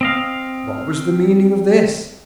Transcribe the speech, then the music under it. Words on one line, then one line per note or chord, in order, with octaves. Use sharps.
What was the meaning of this?
C4 D#5 F5